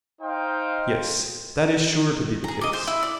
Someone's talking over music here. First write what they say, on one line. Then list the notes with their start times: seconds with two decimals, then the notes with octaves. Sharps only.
Yes, that is sure to be the case.
0.21 D#4 C5 D#5 F5 G5
2.44 G#4 A#5
2.61 D#5 D6
2.73 C5
2.87 E4
3.03 D5